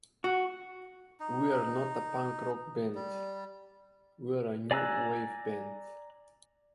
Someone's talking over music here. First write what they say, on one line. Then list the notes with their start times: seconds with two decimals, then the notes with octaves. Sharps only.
We're not a punk rock band, we're a new wave band.
0.24 F#4
1.20 D#4
2.95 G3
4.71 D5 G#5 A#5 E6 F#6